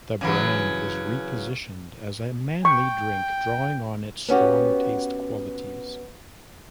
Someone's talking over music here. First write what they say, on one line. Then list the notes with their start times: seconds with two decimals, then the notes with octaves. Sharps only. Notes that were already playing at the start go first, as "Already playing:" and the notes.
The brand was re-positioned as a "manly" drink, drawing on its strong taste qualities.
0.21 C#3 E3 F#3
2.65 G5 C#6
4.28 B3 C#4 F#4 G4